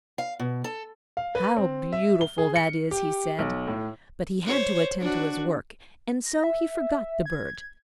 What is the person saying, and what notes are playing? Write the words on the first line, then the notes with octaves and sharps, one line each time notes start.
"How beautiful that is!" he said; but he had to attend to his work, and so he forgot the bird.
F5
B2
A4
F5
B4
C4
E5
G7
G#4
C#7
G4
B1
A2
C5 C#5
D4 F#4
A#6
E5
G#6